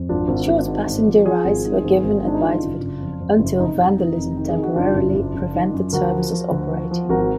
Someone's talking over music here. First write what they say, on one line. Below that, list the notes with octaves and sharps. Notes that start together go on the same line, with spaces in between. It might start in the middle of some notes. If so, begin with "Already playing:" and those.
Short passenger rides were given at Bideford until vandalism temporarily prevented services operating.
Already playing: F2
G#1 D4 F4
G#1
G#1
G#2
G#1
F3
F3 F4 G#4
G#1
G#2
G#1
G#1
G#2 D4
D#4
D#3 D4 F4
F#1
F#1
F2
F2
F#1
F1 D#4
F1
D#3
F1
D#3
G#4
D#3
F#4
F#1 D4 F4
F#1
F#1
F#1
D#3
F#2
D2 F#4 A#4
F3
F3
D2
F3
F3
G#1 F#4 A#4